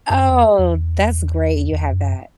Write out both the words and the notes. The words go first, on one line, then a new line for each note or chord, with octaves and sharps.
Oh, that's great you have that.
F#2
E2
E2
E2
F#2